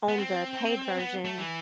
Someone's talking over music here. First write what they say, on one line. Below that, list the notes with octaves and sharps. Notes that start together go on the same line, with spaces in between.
on the paid version,
B3
C4
B3
A3
E3